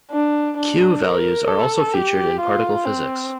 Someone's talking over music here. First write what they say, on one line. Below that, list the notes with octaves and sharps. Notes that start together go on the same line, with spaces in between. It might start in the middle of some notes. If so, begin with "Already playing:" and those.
"Q" values are also featured in particle physics.
D4
D4
A#4
A4
G4
F4
C4